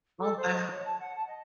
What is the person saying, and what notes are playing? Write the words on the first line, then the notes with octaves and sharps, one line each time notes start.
Oh, wow.
A4
C5
D#5
C#5
A5
F#5
A5
D#5